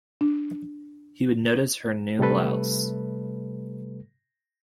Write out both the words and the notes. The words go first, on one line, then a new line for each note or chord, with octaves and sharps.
He would notice her new blouse.
D4
C3 G3 A3 A4 B4